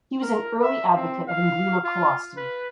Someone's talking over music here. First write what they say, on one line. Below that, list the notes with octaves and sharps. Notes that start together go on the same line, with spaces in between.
He was an early advocate of inguinal colostomy.
A#4
E5
C4
F5
F4
B4